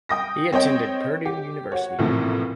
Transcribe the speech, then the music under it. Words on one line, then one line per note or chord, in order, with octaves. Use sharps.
He attended Purdue University.
G5 D#6 A#6
C4 C#5 D#5 G5
G4
F#4 C#5
A#1 F#2 A2 C3 E3 F3